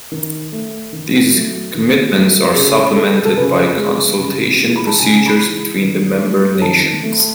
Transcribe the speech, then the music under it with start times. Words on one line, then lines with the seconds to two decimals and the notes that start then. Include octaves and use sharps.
These commitments are supplemented by consultation procedures between the member nations.
0.12 D#3
0.52 A3
0.93 D#3
1.33 F#3 A3
1.74 D#3
2.14 F#3 A3
2.55 C#3 G#4
2.96 G#3 A4
3.25 A4
3.37 C#3 B4
3.77 G#3
4.18 C#3
4.58 E3 G#3
4.76 B5
4.87 A5
5.00 C#3 G#5
5.26 B5
5.40 E3 G#3
5.81 D#3
6.21 A3
6.62 D#3 A5
7.03 A3